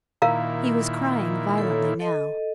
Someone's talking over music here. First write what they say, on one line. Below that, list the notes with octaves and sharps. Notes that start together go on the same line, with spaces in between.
He was crying violently now.
A#2 D#3 E4 A#4 F5 A#5
A4 C#5
A4 D#5